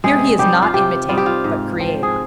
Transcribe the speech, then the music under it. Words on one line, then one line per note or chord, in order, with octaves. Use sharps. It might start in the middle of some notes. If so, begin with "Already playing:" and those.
Here he is not imitator, but creator.
C3 G#3 G#4
G3 C4 D#4 G4
F4
C3 G4
G3 C4 D#4 F4
G4
F4
G#2
F3 C4 F4
G#4